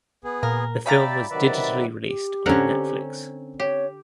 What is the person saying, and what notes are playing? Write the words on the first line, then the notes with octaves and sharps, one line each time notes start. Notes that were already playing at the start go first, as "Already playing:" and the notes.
The film was digitally released on Netflix.
B3 G#4
A#2 A#4
C#4 G4 D5 E5 F5 A#5 B5 A6
C3 D#3 F#3 B4 D5 E5
G4
D3 C4 C#4 A#4 F#5
G4 C#5